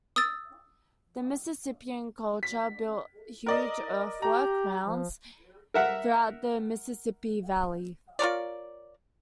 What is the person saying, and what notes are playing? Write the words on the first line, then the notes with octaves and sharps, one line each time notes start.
The Mississippian culture built huge earthwork mounds throughout the Mississippi Valley.
D#6 E6 A6
B6
A#4 D5 D#5
G4 A#5
F3
A#4 E5 F#5
F4 A#4 C#5 D5